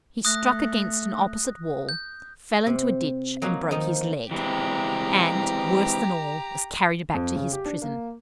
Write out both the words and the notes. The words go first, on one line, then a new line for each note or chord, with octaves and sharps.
He struck against an opposite wall, fell into a ditch and broke his leg, and, worse than all, was carried back to his prison.
A3 D#6 F#6 A#6
G6
C3
F#3 A#3 D#4 F#4
D#3 F3 D#4
E3 G#3 C4 G4 A#5
F2
C#3
G4
D4
A#3